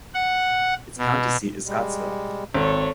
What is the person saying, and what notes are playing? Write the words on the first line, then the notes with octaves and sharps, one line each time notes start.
Its county seat is Scottsville.
F#5
B2
G3 G#3
G#1 C4 A4 C#5